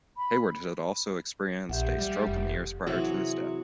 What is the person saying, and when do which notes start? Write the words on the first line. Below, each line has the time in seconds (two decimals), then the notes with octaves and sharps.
Heyward had also experienced a stroke in the years prior to his death.
0.17 B5
1.69 A#1 G4 E5 F#5
1.99 G3
2.27 F1
2.86 C3 E3 F#3 F#4 G#4